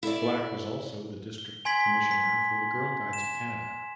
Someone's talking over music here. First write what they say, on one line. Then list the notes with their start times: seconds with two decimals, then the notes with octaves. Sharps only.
Black was also the district commissioner for the Girl Guides of Canada.
0.03 E4 A4 C#5 D5
1.38 G7
1.65 G#5 C6 G#6 B6 F#7
2.11 B6
3.13 E7